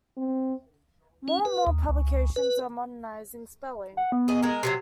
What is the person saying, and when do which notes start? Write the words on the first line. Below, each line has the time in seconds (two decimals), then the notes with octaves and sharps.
More and more publications are modernizing spelling.
0.17 C4
1.28 C#4
1.45 B4
1.67 D#2
1.89 C#2
2.36 B4
3.97 F#5
4.12 B3
4.28 G#4 D#5
4.43 G#3 A#4
4.63 C3 E3 F#3 C7